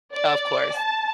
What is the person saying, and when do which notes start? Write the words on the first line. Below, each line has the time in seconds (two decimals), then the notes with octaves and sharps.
Of course.
0.13 D5
0.77 A5